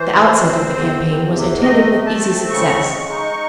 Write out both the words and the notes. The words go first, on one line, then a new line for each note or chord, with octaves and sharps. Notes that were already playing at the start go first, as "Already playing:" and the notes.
The outset of the campaign was attended with easy success.
Already playing: E3 C5
C4
C4
E2
E2
C3
A3 D#5
A3
A5
C4
C#3 C#6
G#3
D#4